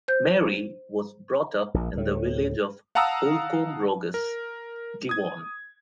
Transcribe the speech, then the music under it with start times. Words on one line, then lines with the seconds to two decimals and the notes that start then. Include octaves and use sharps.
Mary was brought up in the village of Holcombe Rogus, Devon.
0.08 C5 G6
1.74 A#1 A#2
1.94 D2 A2
2.95 F5 F#5 A5 A#5 D#6 E6
4.14 A#4
5.09 D#6 G#6